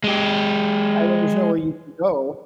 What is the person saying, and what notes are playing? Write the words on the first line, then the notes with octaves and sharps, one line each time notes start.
I there's nowhere you can go.
G#3 G4